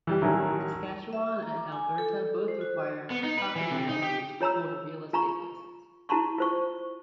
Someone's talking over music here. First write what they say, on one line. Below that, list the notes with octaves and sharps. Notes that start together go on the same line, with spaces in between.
Saskatchewan and Alberta both require property managers to hold a real estate license.
E3 G3 G4
A1 D#3 F#3 E4 A#4 G#5
E5
A#5
D6
G#5
A4
C5
F#4
B3
D#4
B4
E3
C3
D#4
G4
F4 C#5 A#5 B5 E6
F4 A#5 B5 C#6
E4 F#4 A5 A#5 C6 C#6
F4 C5 C#6